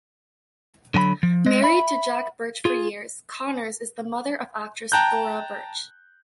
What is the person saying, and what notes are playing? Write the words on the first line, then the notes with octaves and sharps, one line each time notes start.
Married to Jack Birch for years, Connors is the mother of actress Thora Birch.
D3 F#3 G#5 B5
F3
G#3 D#5
E5 B5
F4 G#4
G5 A5 A#5 F#6 G6